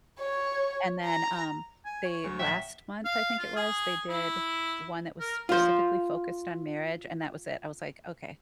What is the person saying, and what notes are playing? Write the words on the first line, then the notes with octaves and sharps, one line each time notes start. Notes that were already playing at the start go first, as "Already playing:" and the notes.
And then, um, they last month I think it was, they did one that was specifically focused on marriage, and that was it, I was like, "Okay,
C#5
A#5
G#5
C#5
D2 F#3
A#1 E5 F#5 G5
F5
F4
G#4
E4
A#4
F4 C5